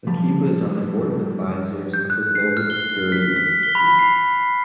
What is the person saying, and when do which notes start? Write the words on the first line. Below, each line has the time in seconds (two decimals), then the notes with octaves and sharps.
Akiba is on the Board of Advisors of the Global Security Institute.
0.07 F3 G3 A3
1.94 G6
2.10 F#6
2.35 C7
2.57 F6
2.70 G7
3.12 B6
3.36 B6
3.63 G7
3.75 B5
3.99 C7